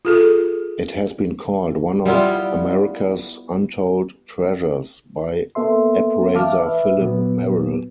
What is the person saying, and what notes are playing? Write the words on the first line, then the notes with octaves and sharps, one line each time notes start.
It has been called one of "America's Untold Treasures" by appraiser Phillip Merrill.
F4 G#4 A4
G3 B3 E4 F4
A#3 B3 A4 E5 C6
E3 E5 F5 A5 D6 F6
B4 E5
A#2 F#3 B3